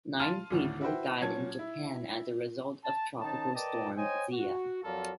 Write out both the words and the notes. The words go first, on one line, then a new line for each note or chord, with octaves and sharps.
Nine people died in Japan as a result of Tropical Storm Zia.
F5 A5 C6 F6 A6 D#7
G#1 D2 A2
E4 F#4 B4 C5 G5
A#2 F#3 C#4 A5 G#6
E4
A5
D#3 C#4 D#4 A5
A#4 B4 D5 D#5 G5 A5
C5 C#5 D#5 G5 G#5
F#4
F2 F#3 F4 A4 A#4 D5